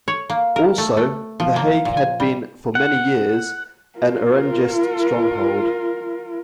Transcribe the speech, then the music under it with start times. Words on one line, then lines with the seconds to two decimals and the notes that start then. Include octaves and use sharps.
Also, The Hague had been for many years an Orangist stronghold.
0.08 C#5
0.30 A#3
0.56 A#4
0.78 A3
0.97 A3
1.40 F3
1.56 A#3
1.85 A#2
1.97 G#5
2.20 G3
2.75 F#5
3.99 F4 A#4